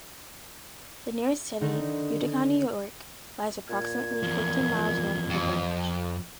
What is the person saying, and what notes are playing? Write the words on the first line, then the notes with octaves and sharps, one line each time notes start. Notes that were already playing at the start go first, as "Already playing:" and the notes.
The nearest city, Utica, New York, lies approximately fifteen miles north of the village.
D3 D#3 D#4
A#2 G#6
E2 F3
F2